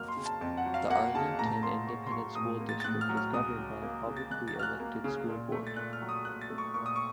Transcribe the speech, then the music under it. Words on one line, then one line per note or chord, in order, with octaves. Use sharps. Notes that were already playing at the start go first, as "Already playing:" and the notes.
The Arlington Independent School District is governed by a publicly elected school board.
Already playing: F2 F#3 A#3 F6
C6
C#3
A5
F2 A5
F#5
F#3
F5
A#3 F#5
C#3 A5
A2 A#5
A5
A#5
A#3 C6
A2 C#6
C6
F#3 C#6
A2 D#6
A#3
A6
A6
A2 F#6
F6
F#3
F6
C#2 D#6
F#3
A#3
C#3
A6
C#2 F#6
A6
F#3 F6
F#6
A#3
C#3
A#2
A3
A6
A#2 F#6
F6
F#3
D#6
A#2 F#6
A6
A3
C#6
A#2 C#6
D#6
C#6